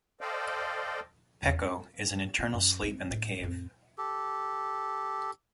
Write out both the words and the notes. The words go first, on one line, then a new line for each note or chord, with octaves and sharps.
Peko is in eternal sleep in the cave.
A4 C5 D5 D#5 F5 G5
E4 F4
F#2
A#3 C4
D1 A2
F2 A2
G4 A4